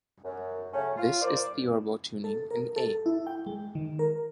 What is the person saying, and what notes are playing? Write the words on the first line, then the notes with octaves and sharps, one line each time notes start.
This is theorbo tuning in A.
F#2
C#3 F#3 A3 C#4
F4
A#4 C5 D5
A4
A#4
A4
E4
G5
G#3
D#3
A#4